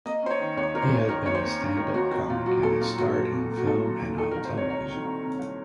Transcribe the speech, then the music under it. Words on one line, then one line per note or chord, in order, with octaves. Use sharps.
He has been a stand-up comic and has starred in film and on television.
A#3 D#5
C#4 C5
C#5
D#3
D#2 C#5
A#3 A#4
C5
C#4
D#3 A#4
D#2 C#5
C5
A#3
C#4
D#3 A#4
D#2 F#4
A#3 F#4
A#2 F4
F#3 F#4
A#2 A4
A#3 F4
A#2 F#4
F#3
A#2
A#3
F#4
A#2 A4
F#3
A#2
D#3 A4
A#4
C2
C5
C3 C#5
C2 C#5
D#3
C2
C3
C2